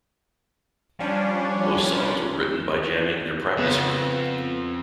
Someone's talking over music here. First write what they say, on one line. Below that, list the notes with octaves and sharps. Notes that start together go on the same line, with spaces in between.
Most songs were written by jamming in their practice room.
F3 G3 C#4 D4
F2 C#3 B3